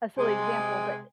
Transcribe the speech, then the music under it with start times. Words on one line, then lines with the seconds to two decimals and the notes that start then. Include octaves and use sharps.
a silly example, but
0.18 C3 G#3 G#5